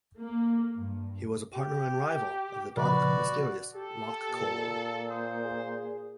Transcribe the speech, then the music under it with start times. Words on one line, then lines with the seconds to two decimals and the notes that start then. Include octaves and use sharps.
He was a partner and rival of the dark, mysterious Locke Cole.
0.18 A#3
0.75 G2
1.54 G4
2.77 A#2 C#3 F3 F#4 B4 D5
3.75 G4 A4
4.31 A#2
5.10 C5 D#6
5.45 G#4